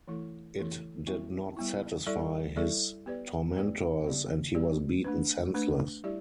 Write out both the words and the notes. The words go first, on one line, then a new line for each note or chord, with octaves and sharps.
It did not satisfy his tormentors, and he was beaten senseless.
E3 A3 E4 A4
E3 A3 E4 A4
G3 B3 E4
G3 B3 E4
G3 E4 A4 D5
G3 E4 A4 D5
B3 G4 B4 D5
B3 G4 B4 D5
G3 B3 G4 D5
G3 B3 G4 D5
A3 D4 B4
A3 D4 B4
G3 E4 G4 D5